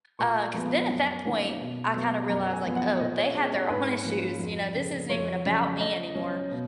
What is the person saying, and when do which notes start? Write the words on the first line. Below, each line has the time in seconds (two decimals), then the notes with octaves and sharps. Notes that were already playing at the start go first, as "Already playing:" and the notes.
uh, 'cause then at that point, I kind of realized like, "Oh, they have their own issues, you know, this isn't even about me anymore."
0.19 A#2 C#6
0.54 F3 B3
0.89 F#2
1.25 D#3 A#3 C#4
1.59 B2
1.94 F#3 B3
2.29 F#2 A#5
2.53 G#5
2.65 F3 B3
2.76 F#5
3.00 A#2 D#5
3.17 C#5
3.35 G#3 C#4 C#5
3.52 C#5
3.70 G#2 B4
4.05 F3 A#3 C#4
4.39 F2
4.75 C#3 G#3
5.09 F2 C#5
5.45 C#3 F#3 C#4
5.80 C#3 D#5
6.15 F#3 C#4
6.51 B2